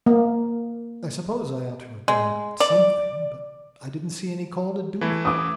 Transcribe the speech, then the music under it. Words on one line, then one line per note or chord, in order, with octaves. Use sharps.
I suppose I ought to have done something, but I didn't see any call to do it.
A#3
G#3
D5
E3 A3 E4
D6 D#6